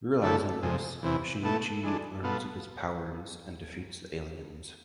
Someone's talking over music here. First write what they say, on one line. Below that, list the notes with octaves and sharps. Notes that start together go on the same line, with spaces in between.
Realizing this, Shinichi learns of his powers and defeats the aliens.
D3 A3 E4 A4
F2 C3 G#3
E2 C3 E3
B2 A3 E4 A4
E3 G#3 D4 A4
B2 B3 F4 A4